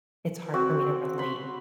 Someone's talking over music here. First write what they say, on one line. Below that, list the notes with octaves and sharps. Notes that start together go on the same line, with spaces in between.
It's hard for me to relate.
C4 F#4 D6
B5 C6